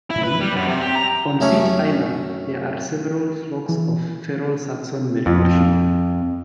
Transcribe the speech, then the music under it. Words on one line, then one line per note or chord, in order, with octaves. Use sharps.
On Pitt Island there are several flocks of feral Saxon Merino sheep.
E4
B4
G3
F#2
C3
G4
A#5
F#2 A3 C#4 G#5 D6
E3
F2